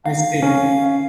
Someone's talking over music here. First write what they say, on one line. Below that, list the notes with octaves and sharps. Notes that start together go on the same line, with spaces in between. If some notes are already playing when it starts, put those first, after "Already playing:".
I see.
F5
C#4